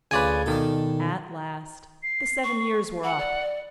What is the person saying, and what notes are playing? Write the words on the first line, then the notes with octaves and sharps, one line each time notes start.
At last the seven years were up.
D2 C#3 F4 B4 D5 G#5
B2 D#3 D4 A4
C7
C#6
F#5 B5
D5